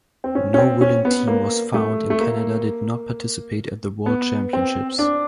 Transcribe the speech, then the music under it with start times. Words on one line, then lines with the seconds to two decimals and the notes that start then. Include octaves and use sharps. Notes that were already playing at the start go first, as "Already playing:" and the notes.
No willing team was found and Canada did not participate at the World Championships.
0.24 C4
0.35 C#4
0.54 C#4
0.58 C4
0.81 C#4
1.05 B3
1.28 A#3
1.74 A3
2.10 A3
2.20 A#3
4.06 B3
4.53 C4
4.99 D4